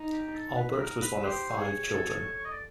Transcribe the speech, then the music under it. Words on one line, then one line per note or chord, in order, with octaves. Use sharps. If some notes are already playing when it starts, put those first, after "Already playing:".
Albert was one of five children.
Already playing: D#4
G4
A4
B4
A#4
B4
G4 C5
G#4 C#5
A4
D#5
D5